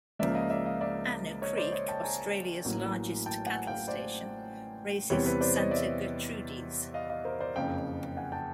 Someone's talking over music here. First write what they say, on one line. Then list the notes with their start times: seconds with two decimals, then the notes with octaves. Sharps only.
Anna Creek, Australia's largest cattle station, raises Santa Gertrudis.
0.19 C#2 C#3 F3 A#3 D5 E5
0.35 D#5 F5
0.50 D5 E5
0.65 D#5 F5
0.81 D5 E5
1.42 C#5 D#5
1.58 C5 D5
1.73 C#5 D#5
1.88 G5 A5
2.03 G#5 A#5
2.65 A1 A2 F#3 A#3
3.26 G5 A5
3.47 F#5 G#5
3.67 F5 G5
3.87 C5 D5
5.10 E2 C3 E3 G3 C4 B4 C#5
5.25 B4 C#5
5.41 C5 D5
5.56 C#5 D#5
5.71 D5 E5
6.94 D#5 F5
7.10 D#5 F5
7.25 A#4 C5
7.40 C5 D5
7.56 F#1 F2 C#3 F5 G5
8.17 F#5 G#5
8.32 G5 A5